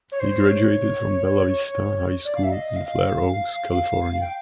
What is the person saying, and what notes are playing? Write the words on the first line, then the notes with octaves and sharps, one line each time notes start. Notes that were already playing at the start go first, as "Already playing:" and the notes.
He graduated from Bella Vista High School in Fair Oaks, California.
C#5
C5
C#5
D5
F5
E5
D#5
F5
G5